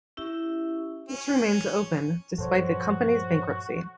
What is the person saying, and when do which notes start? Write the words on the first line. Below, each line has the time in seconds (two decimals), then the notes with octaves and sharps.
This remains open, despite the company's bankruptcy.
0.17 C#4 E4 G4 E5
1.09 C#4
2.38 G2 A#2 F3 F#4 A4 C5 C#5